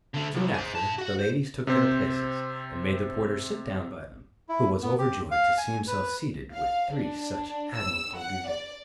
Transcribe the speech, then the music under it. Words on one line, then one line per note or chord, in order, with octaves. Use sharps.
Soon after, the ladies took their places, and made the porter sit down by them, who was overjoyed to see himself seated with three such admirable beauties.
D3 A3
C2
G#4 C5
G2 A5
F#4 F#5
C5
C3 C4 C5
E4
B3
G4
F5
G#5
B4
F5
D4
E6
F#5
D5